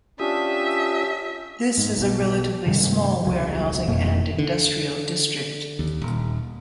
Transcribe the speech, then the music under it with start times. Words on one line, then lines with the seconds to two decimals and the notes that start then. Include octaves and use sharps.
This is a relatively small warehousing and industrial district.
0.20 C#4 D4 F4 G4 E5 D#6
1.78 G#2
1.97 B1 B2
2.66 G2 C3 D#3 G3
3.24 E1 C#2 F#3
3.87 F1 F2 B2 A#3
4.38 D3
5.79 D#2
6.02 D#1